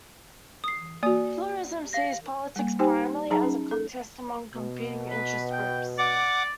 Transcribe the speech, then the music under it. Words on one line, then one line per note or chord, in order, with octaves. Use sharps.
Pluralism sees politics primarily as a contest among competing interest groups.
D#6 C7
A#3 F#4 D5 G#5 D#6
F5 A#6
G3 A#3
D#4 G4 C5 G5 G#5
F#3 D#4 G#4 A5 A#5
C#4
A4
B2
B4
G5
D5 F#5 D6